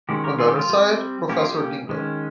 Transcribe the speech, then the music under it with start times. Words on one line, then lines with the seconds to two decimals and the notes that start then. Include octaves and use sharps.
On the other side, Professor Dingo.
0.09 D#3 G#3 C#4 G4
0.24 G4 A#4
0.39 F4 G#4
0.48 G4
0.58 F4
0.69 G3 C4
1.29 G3 A#3 C#4 G4
1.38 F4
1.49 G4
1.89 D#3 G#3 C#4